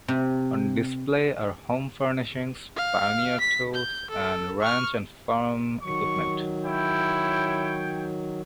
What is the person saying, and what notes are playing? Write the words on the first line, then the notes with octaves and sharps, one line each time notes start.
On display are home furnishings, pioneer tools, and ranch and farm equipment.
C3
F5
B6
G6
A4
C#6 F6
D#3 F#3 C#6
E4 C#5 G5